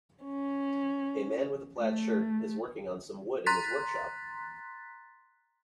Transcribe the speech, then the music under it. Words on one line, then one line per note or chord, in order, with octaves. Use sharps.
A man with a plaid shirt is working on some wood in his workshop.
C#4
A3
A#5 C6 F#6 A6 B6